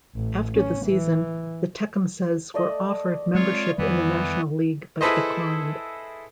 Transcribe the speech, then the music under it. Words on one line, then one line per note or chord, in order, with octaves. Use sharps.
After the season, the Tecumsehs were offered membership in the National League, but declined.
A1
C#4
E3
A3 D5 D#5
G#3 C4 F4 C#5
F2 D#3 E3 G3 B3
E4 G#4 A4 B4 C5 D#5